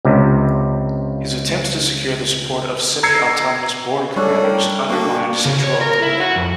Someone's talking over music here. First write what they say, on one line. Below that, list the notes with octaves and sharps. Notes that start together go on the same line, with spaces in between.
His attempts to secure the support of semi-autonomous border commanders undermined central authority.
C#2 C3
A#5 E6 G#6 C7 C#7
G3 C#4 D4 A4
A#4 G5
A#3 D4 F#4 G5 C#6
C#3
C#5
A#4
E4
F#4
F2